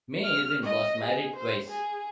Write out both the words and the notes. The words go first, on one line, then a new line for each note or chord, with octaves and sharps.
May Irwin was married twice.
F6
D#5
G#4
C5
G#4